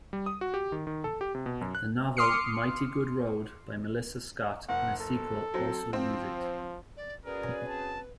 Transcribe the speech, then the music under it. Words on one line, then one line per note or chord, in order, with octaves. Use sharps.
The novel "Mighty Good Road" by Melissa Scott and a sequel also use it.
G3
D#6
F#4
G4
D#3
D#3
A4
G4
C3
B2
F#2
F#6
C6 D6 D#6 F6 C7 C#7
F#1 F#5
A4
F#3 C4
F3 C4
D5
C#4 F#4 G#4 A#4 B4 D5
C4 A5